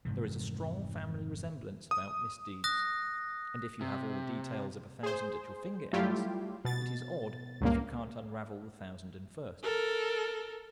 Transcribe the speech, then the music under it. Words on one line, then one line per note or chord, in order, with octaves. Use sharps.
There is a strong family resemblance about misdeeds, and if you have all the details of a thousand at your finger ends, it is odd if you can't unravel the thousand and first.
F1 G#2 C3 E3
D#6
D#6 F#6 A#6
C3
G#4 C5
F#3 G3 A3 E4 F4 G4
B2 A6
C#2 G2 A#2 A#3
A4 A#4